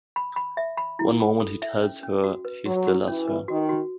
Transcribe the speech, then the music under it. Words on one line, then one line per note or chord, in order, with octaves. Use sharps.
One moment he tells her he still loves her.
B5
B5
E5
B5
E4
B5
A4
E5
C#4
C#4
F#4
B4
F#3 F#4
F#4
E3 C#4
B4
D#3 F#4
F#4